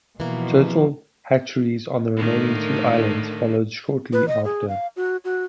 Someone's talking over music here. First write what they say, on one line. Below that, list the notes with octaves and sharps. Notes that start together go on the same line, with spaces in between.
Turtle hatcheries on the remaining two islands followed shortly after.
B2 E3 F3 A#3
A2 D3 D#3 A#3
B4
D#5
G#4
F5
F#4
F#4